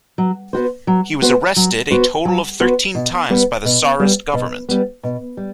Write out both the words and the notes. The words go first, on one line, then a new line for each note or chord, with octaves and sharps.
He was arrested a total of thirteen times by the czarist government.
F#3
B3 F#4 C5
F#3
B3 F#4 C5
F#3
B3 F#4 C5
F#3
B3 F#4 C5
B2
G3 B3
B2
G3 B3
B2
G3 B3
B2
G3